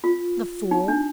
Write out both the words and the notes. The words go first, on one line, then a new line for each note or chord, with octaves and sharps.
The fool!
F4
D#4
D4